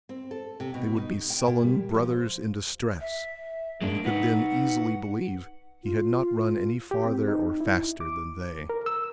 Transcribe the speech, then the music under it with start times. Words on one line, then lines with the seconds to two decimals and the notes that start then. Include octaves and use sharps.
They would be sullen brothers in distress, and he could then easily believe he had not run any farther or faster than they.
0.09 C4
0.31 A4
0.60 C3
0.74 B2
0.96 D#4
1.30 G5
1.46 A#2
1.62 G3
1.94 F3
2.10 C5
3.00 E5
3.82 G#3 A#3 D4
4.05 D#4 B4 F#5
5.83 F4
6.91 G4
7.05 C4
7.28 D#4
7.60 E4
8.00 D6
8.70 A#4
8.86 E6